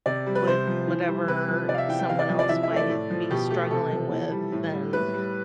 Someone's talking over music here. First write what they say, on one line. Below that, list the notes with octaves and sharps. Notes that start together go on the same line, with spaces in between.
with whatever someone else might be struggling with, and
C3 D5
G3
B4
C3 C5
F3
E3
G3
C3 B4
F3
C3 D5
F5
E5
E3 G5
G5
C3 F5
D5
F3
D5
E3 E5
E5
A3
D5
A2
F3
B2 G4
A3 G4
C3 A4
F3
E3
G3
A2
G3
A2 B4
G3